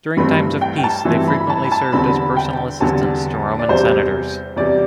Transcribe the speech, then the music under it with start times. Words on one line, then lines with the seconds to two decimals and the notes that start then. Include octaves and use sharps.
During times of peace they frequently served as personal assistants to Roman senators.
0.17 G2 E3 A3 C4 B5
0.61 G5
0.78 G5
0.84 A5
1.05 G2 E3 A3 C4
1.28 B5
1.40 B5
1.50 A5
1.64 B5
1.72 A5
1.92 E2 D3 G3 C4 B5
2.36 G5
2.80 E2 D3 G3 C4 A5
3.59 D5
3.69 E2 C3 G3 C5
4.56 E2 C3 G3 D5